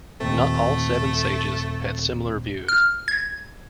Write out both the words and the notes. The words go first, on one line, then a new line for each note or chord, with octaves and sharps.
Not all seven sages had similar views.
D#2 A#2 A3 C4
F6
G#6